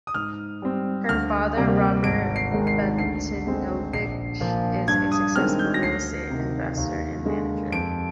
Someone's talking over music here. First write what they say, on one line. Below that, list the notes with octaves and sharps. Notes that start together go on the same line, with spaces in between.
Her father, Robert Batinovich, is a successful real estate investor and manager.
D#6
G#2 F6
G3 C4
D2 F6
C3 G3 A#3
G#1 D7
C7
G#2 D#3 G#3
C7
D2 C7
D3 G#3 C4
A#1 C7
A#2 F3
G2 G#6
D#6
D#3 G#3 C4 F6
G6
A#6
D2 C7
C3 D#3
D#2
D3 G#3
F2 D7